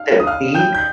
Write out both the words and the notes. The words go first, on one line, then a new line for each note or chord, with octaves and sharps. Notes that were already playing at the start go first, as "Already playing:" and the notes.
that we need.
Already playing: F5 F6
D#6
F5 F6
G5 G6
G6